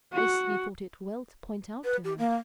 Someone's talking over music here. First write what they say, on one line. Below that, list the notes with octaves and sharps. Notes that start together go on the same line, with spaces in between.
This he thought it well to point out to her.
F#4
B4
G4
A#3